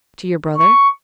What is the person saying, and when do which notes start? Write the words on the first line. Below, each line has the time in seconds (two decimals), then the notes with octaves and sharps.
"To your brother?"
0.57 C#6